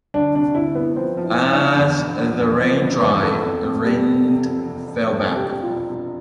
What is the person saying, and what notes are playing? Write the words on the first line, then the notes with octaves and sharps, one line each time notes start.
As the rain dried, Rindt fell back.
D2 D4
C3 D4
D2 E4
D2 B3
F3 C4
F3
E4
F3
D4
F3
E2
E1
F3
E2
B3
F3 C4
E1 B3
E2 B3
E1 A4
F2
C4
G3
C4
C3
F2
C3
F2
E1 A4
C3
G4
E1
F4
E1
E1